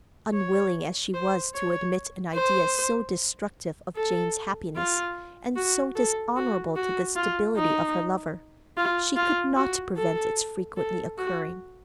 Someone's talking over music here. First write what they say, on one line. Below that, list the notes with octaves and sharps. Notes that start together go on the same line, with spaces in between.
Unwilling as she was to admit an idea so destructive of Jane's happiness, and so dishonorable to the stability of her lover, she could not prevent its frequently occurring.
C#5
C5
C#5
C5
A4
F4
F#4
A4
F#4
F#4
F4
D#4
F4
F4
F#4
A4
A4
F#4